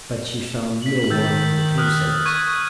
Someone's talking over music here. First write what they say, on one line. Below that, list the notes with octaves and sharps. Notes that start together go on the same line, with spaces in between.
But she found no one in the closet.
B6 F#7
D#3 E6 G6 A6
D#6 F6 F#6
C#6 G#6 D#7